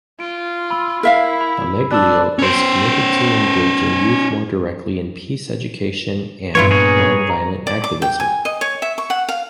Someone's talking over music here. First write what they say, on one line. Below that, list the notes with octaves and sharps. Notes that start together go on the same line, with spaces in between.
Ameglio is committed to engaging youth more directly in peace education and nonviolent activism.
F4 D7
B5 E6
E4 A#4 E5 F5
B5
D4 E6 F#6
C#4 C5
G2 A#2 B3 E4 F4 B4 C#5
G#4 A#4 C#5
A#5
D5
D6
G5
G#5
D#5
C#5
E5
C#6
F#5
F5